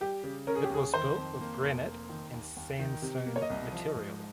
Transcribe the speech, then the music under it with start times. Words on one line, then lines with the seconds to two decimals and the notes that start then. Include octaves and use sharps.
It was built with granite and sandstone material.
0.01 G3 G4
0.24 C#3
0.47 C#4 A#4
0.55 G#4
0.64 G4
0.70 D#2 G#4
0.94 D#3 C5
1.17 F2
1.41 A#3
1.63 F1
1.86 A#3
2.09 D#3
2.33 D#2
2.57 D#2
2.79 D#3
3.02 C3
3.26 A#3
3.36 C#5
3.42 D#5
3.50 C2
3.72 F3
3.95 G#2